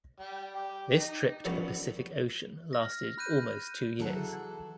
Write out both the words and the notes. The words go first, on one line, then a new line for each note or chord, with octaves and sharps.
This trip to the Pacific Ocean lasted almost two years.
G3 G5
G4
D#4
F3 G3 A#3 B3 C#4 D4
F6 A#6
B5 F#6 G6 D#7
E3 F#3 G#4 A4 C5 F#5